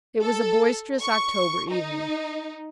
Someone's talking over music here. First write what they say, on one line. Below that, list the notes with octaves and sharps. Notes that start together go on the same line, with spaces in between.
It was a boisterous October evening.
A4
C#6
D#4